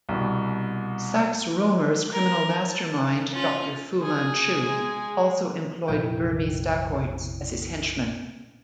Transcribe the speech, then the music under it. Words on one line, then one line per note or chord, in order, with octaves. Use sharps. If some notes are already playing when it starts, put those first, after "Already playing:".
Sax Rohmer's criminal mastermind Doctor Fu Manchu also employed Burmese dacoits as his henchmen.
C2 B2
A#4
A5
C#4 F4
G#4
G#3
A#1 F2 C3 F3 E4 G5